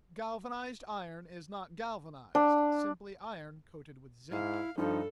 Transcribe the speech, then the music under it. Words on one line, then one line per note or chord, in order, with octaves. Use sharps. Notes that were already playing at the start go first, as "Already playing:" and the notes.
Galvanized iron is not galvanized--simply iron coated with zinc.
D4
G#2 E4 F5
G2 F3 D#4 A4